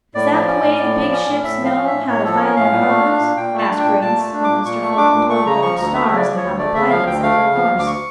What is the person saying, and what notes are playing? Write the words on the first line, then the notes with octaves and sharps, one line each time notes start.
"Is that the way the big ships know how to find their harbors?" asked Grace, when Mr. Fulton told her of the stars, and how the pilots set their course.
A2 D5
F3
C#4
A2
A2
F3
C#4
A2
A2 E5
F3
F5
C#4
E5
A2
A2 C#5
F3 A4
C#5
C#4 A#4
A2 F5
A#2
A3
D4
A#2
A#2 G5
A3 A5
D4
G5
A#2
A#2 A5
A3
D4
D6
A#2
A#2 C#6
A3
D4 D6
A#2
A3 C#6
C#3 A#5
F3 C#6
D2 A#5
A3 E5
C#3 E5
D5
F3
C#5
D2
A3 D5
C#3 E5
F3 F5
D2 G5
A3 F5
C#3
F3
D2
D6
C#6